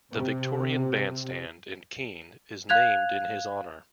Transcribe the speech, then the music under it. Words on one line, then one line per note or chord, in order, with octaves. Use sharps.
The Victorian Bandstand in Keene is named in his honor.
C3
F5 F#6 G#6 F7